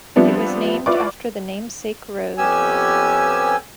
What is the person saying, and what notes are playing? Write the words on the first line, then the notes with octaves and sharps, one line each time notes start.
It was named after the namesake road.
F3 G3 B3 C4 D4 E4
E4 F4 B4 D5 C#6 D6
F2 B3 C#4 G4 G#5 E6